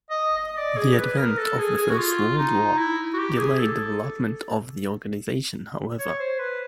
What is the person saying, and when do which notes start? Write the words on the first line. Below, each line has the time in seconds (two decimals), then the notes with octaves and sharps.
The advent of the First World War delayed development of the organisation, however.
0.10 D#5
0.37 D#5
0.58 D5
0.78 G#4
0.98 B4
1.18 A#4
1.38 A4
1.58 G#4
1.78 G#4
1.91 F#4
1.98 F4
2.38 D#4
2.78 E4
3.14 F#4
3.18 G4
3.38 G#4
3.58 A4
5.99 C#5
6.19 C5
6.39 B4